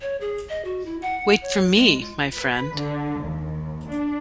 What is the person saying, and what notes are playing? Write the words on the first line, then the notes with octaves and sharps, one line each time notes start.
Wait for me, my friend.
C#5
G#4
D#5
F#4
E4
F#5
C#5
G#3
F4
B4
D3
D#2
D4